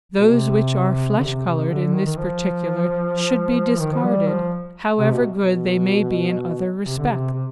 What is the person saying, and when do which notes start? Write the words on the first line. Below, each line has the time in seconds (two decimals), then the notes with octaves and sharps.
Those which are flesh-coloured in this particular should be discarded, however good they may be in other respects.
0.20 B2
0.29 C3
1.18 D3
1.24 C3
1.47 C3
1.70 D3
1.94 D#3
2.06 D#3
2.17 F3
3.80 D#3
3.93 F3
4.05 G3
4.28 F3
4.98 C3
5.11 B2
5.36 B2
6.86 C3
6.97 D3
7.10 C3
7.33 C3